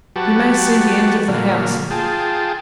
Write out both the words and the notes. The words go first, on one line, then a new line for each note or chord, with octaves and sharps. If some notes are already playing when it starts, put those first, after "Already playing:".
You may see the end of the house.
F#3 F#4 G4 B4 A5
A#2 D3 F#3 A#3
F4 G#4 G5 A5